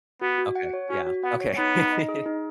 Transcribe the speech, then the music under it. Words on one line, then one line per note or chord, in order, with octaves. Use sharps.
Okay, yeah, okay.
B3 F#4
F#4
F#5
C#5
C#4 F#4
F#4
B3 F#5
C#5
B3 D#4
D#4
D#5
G#4
D#4